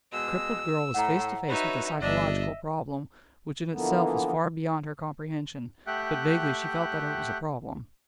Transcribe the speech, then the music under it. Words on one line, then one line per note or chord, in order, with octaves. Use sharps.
The crippled girl was face to face with a psychological problem, which in itself was far beyond her comprehension, but vaguely she felt that it was a problem.
B2 G#3 E6
A2 F#5 A#5
F#3 D#4 B4 C#5 E5
G1 D4 D#5 E5
D3 E3 F3 A#3 B3
A3 G4 E5 F#5 G5 F#6